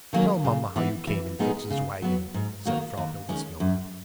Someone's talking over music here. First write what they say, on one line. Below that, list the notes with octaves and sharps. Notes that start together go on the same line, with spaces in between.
"Tell mamma how you came in Fritz's wagon," said Frau Hildesmuller.
D#3 F#3 A#3 C#4
C#3
E3 B3
E3
G#3 B3 D#4 G#4
C#3
F#3 B3
G#2
D#3 A#3 D#4 F#4
D#2
D#3 G#3 C#4
F#2